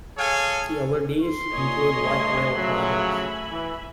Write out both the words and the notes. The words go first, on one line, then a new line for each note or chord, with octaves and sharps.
The awardees include light rail projects.
G#4 A4 C#5 F5 G#5
C6
A#2 C#5 D#5 G#5
G2 A3
C#3 F3 F#3 E5 G#5 B5
E3